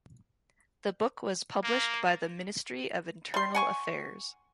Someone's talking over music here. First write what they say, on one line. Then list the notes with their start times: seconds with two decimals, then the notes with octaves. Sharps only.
The book was published by the Ministry of Internal Affairs.
1.63 A#3
3.34 G3 C6
3.55 F#5 G#5 C#6